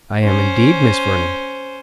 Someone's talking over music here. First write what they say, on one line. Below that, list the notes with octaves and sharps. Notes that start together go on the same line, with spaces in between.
"I am, indeed, Miss Vernon."
C#4 C5